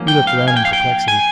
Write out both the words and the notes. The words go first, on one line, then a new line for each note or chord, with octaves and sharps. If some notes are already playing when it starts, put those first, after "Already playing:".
We looked round in perplexity.
Already playing: G#2 F3 A#3 C#4
G5
F5
G#5
G5
F5
G5
G#5